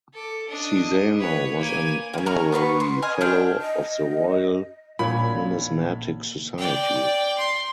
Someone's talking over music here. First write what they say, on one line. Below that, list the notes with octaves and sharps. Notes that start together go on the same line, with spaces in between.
Cesano was an Honorary Fellow of the Royal Numismatic Society.
A4 D6
D4 D#5
B4 C#5
A#3 G#5
A#3 C#4
A#5 C#6 F6
B3 B4 A#5 C#6
C6
D#5 G#5 F6
D4 G5 F6 G6
D#5
A#1 A#2 C#5 B5 G#6
D5 G5
C6